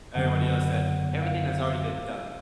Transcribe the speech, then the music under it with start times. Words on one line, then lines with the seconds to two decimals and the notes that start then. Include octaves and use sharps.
everybody else that everything has already been done.
0.15 F#2 D3 F#3 B3 F#5
1.22 F5